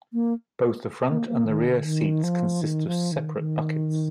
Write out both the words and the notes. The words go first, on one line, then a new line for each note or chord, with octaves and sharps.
Both the front and the rear seats consist of separate buckets.
A#3
A#3
A#3
D#3
D3
D#3
F3
D#3
F3
D#3
D#3